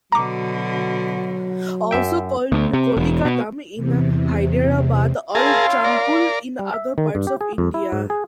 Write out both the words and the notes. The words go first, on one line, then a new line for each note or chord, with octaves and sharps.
Also called "Koli kaDam" in Hyderabad, or "Champul" in other parts of India.
B2 D3 F#3 A#5 D6
F#2 E5 G5
D2
C3
E1
B2
E2 C3
C#4 E4 F4 G#4 A#4 F5 A5
A#4 D5
G3
E5
D#3
G2
G4
G#4
F2
E4
G#2
G#4